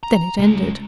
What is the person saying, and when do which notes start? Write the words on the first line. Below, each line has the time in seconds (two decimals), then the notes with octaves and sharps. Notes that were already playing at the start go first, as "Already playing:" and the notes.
Then it ended.
0.03 A#5
0.39 C#2 G#3